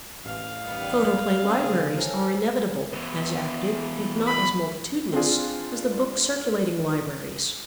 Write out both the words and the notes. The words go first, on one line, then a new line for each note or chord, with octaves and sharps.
Photoplay libraries are inevitable, as active if not as multitudinous as the book-circulating libraries.
A1 F5
D#3 G3 B3
C#3 C4 G#4
A4 A#4 C5 C#5 G#5
B2 E3
B5
C4 D4 F4 G#4